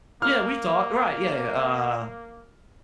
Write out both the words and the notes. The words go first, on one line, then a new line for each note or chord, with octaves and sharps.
Yeah. We talked right. Yeah, uh
A#3 F6